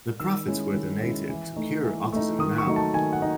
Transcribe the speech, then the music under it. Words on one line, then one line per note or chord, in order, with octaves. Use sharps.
The profits were donated to Cure Autism Now.
D#3 E6
G#3 C#4 E4
D#3
G#3 C#4 E4
E3
A3 D#4
E3
A3 D#4
D#3 D#6
C#6
F#3 A3 D#4
A5
D#3 G#5
F#5
D#4